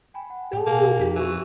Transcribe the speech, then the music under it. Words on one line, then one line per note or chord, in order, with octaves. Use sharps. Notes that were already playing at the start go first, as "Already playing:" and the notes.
"Oh, this is"
G5 G#5 B5
F#5
A2
B2 A#3
F2 D#4
E3 G#5 C#6